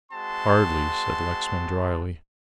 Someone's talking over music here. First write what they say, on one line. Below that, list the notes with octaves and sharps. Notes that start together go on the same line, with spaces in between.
"Hardly," said Lexman, drily.
G#3 C4 F#4 A5 C6